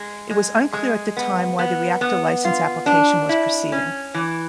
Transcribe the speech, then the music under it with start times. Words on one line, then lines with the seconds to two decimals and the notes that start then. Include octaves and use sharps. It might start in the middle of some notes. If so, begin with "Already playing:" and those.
It was unclear at the time why the reactor license application was proceeding.
Already playing: G#3
0.30 G#3
0.73 G#3
1.17 B3
1.59 B3
2.01 B3
2.45 F4
2.86 D4
3.29 E4
3.72 C#4
4.14 E3